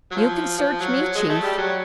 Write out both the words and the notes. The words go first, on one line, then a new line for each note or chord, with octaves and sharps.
You can search me, Chief.
F#3
F3
F3
F#3
F#3
G#3
A3
G3
F#3